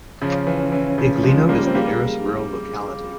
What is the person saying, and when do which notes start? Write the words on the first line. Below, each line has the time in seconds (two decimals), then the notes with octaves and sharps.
Iglino is the nearest rural locality.
0.22 C#3 F3 C#5
0.47 E3
0.60 C#4
0.72 E3
0.98 C#3 F3 F4
1.23 F3 G#3
1.36 F4
1.49 G3 A#3
1.67 C4
1.75 G3 A#3 G#4